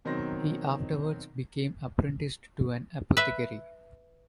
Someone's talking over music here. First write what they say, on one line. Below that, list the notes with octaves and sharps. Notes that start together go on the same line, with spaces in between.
He afterwards became apprenticed to an apothecary.
B2 D#3 F#3 C4 C6 A#6
B4 E5